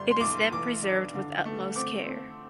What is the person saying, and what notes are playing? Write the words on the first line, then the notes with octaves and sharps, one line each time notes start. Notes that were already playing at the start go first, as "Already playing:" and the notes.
It is then preserved with utmost care.
Already playing: G1 G3 C6
C6
B1 D6
E3 D6
D4
D3
A3
C4 D6
C4